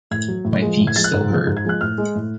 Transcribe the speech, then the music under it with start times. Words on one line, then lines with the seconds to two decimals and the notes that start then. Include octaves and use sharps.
My feet still hurt.
0.11 A2 G#6
0.28 F#3
0.45 A2
0.62 F3 G#3
0.80 A2
0.87 G#6
0.96 F3 G#3 A6
1.04 F#6
1.13 G#2
1.30 F3 G#3
1.47 G#2
1.57 G#6
1.65 F3 G#3 F#6
1.81 A2 F6
1.98 G#3
2.15 A2